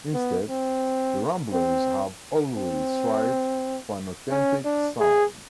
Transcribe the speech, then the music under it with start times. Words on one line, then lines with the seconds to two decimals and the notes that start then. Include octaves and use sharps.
Instead, the Ramblers have always strived for an "authentic" sound.
0.14 B3
0.50 C4
1.53 C4
2.57 C4
4.31 C#4
4.65 D4
5.00 G#4